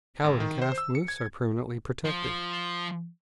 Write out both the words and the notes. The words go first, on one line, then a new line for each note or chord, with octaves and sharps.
Cow and calf moose are permanently protected.
G#1
D#3
C5
E6
C#7
G#6
F3